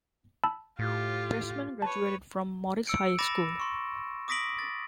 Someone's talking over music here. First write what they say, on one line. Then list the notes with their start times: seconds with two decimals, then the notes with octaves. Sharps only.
Pressman graduated from Morris High School.
0.44 A5 B5 E6
0.79 A2 F4 G4
1.82 B4 C#5 A5
2.87 E6 C#7 D7
3.18 B5 D6 A6 A#6 E7
3.60 C6 C#6
4.28 D6 D#6 A#6 B6 D7 F#7
4.59 A6